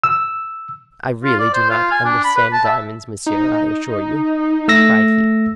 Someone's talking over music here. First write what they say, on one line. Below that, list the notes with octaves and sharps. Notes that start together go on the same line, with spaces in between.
"I really do not understand diamonds, monsieur, I assure you," cried he.
E6
F4
D5
C5
F4
G#5
D4
B5
B4
A5
E5
D#4
A3 E6 A#6